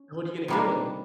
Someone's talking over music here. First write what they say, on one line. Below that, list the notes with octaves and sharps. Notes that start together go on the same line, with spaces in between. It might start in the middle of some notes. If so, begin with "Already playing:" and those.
So what are you gonna give 'em?
Already playing: C#4
C3 D#3 G3 A#3 D4